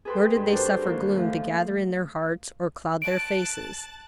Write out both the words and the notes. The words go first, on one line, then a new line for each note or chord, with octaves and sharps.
Nor did they suffer gloom to gather in their hearts or cloud their faces.
G#4 A4 B4 G5 C6
G2
D4 F#4 A4 A#4 C5
D#2 G#2 F#4 A#4 C5
F3 A3
A5 F#6 D7